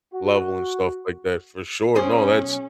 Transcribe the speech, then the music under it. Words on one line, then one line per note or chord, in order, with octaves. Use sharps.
level and stuff like that, for sure. No, that's
F#4
B1 C#4 G#4 C5